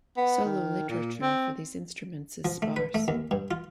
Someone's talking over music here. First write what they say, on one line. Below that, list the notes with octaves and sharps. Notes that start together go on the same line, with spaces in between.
Solo literature for these instruments is sparse.
B3
D#3
A#2
C4
F3
A3
B4
A3
D#2
G2
F4